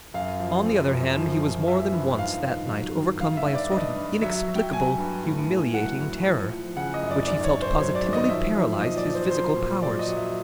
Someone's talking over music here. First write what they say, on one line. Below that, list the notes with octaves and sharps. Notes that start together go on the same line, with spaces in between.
On the other hand, he was more than once that night overcome by a sort of inexplicable humiliating terror, which he felt positively paralyzed his physical powers.
F#2 F5
F3
F#2
F#2
F3
F3
F3 E5
G2
G#2 F5
D#3
F#3
D#3
G2 F5
E5
G2
D5
G2 D#5
G2
F#3 E5
F#3
G5
F#3 G#5
G2
A2
A2
F#3 F#5
A2
F3
F3
C#3 F#5
D#5
F#2
D5
G#2 D5
C#5
G#2
C5
F#3 C#5
D5
D#3
D#5
F3 E5
F3
A#2 D#5
D5
F3
C5
F#3 C5
A#2
F#3 D5
D#5
F#3
E5